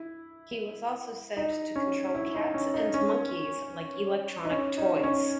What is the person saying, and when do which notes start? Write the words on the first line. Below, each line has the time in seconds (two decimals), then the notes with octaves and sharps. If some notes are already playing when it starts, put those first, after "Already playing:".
He was also said to control cats and monkeys like electronic toys.
Already playing: E4
1.37 D#4
1.76 C#4
2.15 E4
2.35 D#4
2.54 C#4
2.74 D#4
2.94 C#4
4.45 D#4
4.51 C#4
4.78 D#4
5.03 C#4